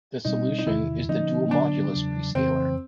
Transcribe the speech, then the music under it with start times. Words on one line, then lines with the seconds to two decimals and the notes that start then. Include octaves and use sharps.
The solution is the dual modulus prescaler.
0.25 B2 G3 C4 D#4
0.58 D#4
0.67 E2 C3 D#3 E4
1.08 D3 F3 A#3 C#4 D#4
1.51 D3 F#3 B3 D4
1.93 E2 C#3 F#3
2.35 F2 C#3 E3 C4